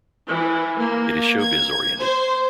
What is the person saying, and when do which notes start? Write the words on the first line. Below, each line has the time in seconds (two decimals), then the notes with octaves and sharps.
It is showbiz oriented.
0.26 E3
0.77 A#3
1.41 G#6
1.97 C5